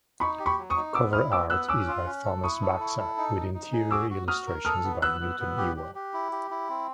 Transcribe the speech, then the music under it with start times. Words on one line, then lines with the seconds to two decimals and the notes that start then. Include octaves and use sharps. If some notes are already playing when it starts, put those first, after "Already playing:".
Cover art is by Thomas Baxa, with interior illustrations by Newton Ewell.
0.20 D#4 B5 C#6
0.39 G4
0.46 B5 C#6
0.58 F#3
0.70 C#6 D#6
0.76 D#4
0.94 B3 D6 E6
1.13 E4 D#6 F6
1.32 B3 D6 E6
1.50 B3 E6 F#6
1.69 C#4 D6 E6
1.88 F4
2.06 C#4
2.25 A4
2.43 E4 C#6 D#6
2.62 A4
2.80 E4
2.99 A4
3.18 D#4
3.35 D#4
3.54 D#4
3.73 G#4
3.91 F#4 D6 E6
4.10 F#4
4.28 F#4 D#6 F6
4.47 A#4
4.65 A4 D#6 F6
4.84 B3
5.02 B3 E6 F#6
5.21 B3
5.40 B3
5.58 G4
5.76 G4
5.95 G4
6.14 E4
6.32 G4
6.51 E4
6.69 C4